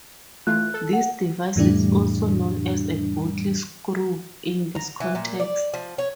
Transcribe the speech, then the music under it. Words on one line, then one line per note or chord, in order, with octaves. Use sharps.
This device is also known as a bottlescrew in this context.
E3 A3 F4 F#6
A4
F#5
F2 A2 D3 E3 G3 D4
A#5
E3
A#2
D5
F3
C#5